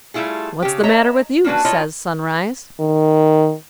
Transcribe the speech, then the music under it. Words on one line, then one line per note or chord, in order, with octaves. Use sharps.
"What's the matter with you?" says Sunrise.
G3 A3 E4 F4 G#4
C#3 G4
C#5 D#5 E5 A#5
A#3 C#4 D4 F#4 B4
E4 F4 C#5 D#5
D#3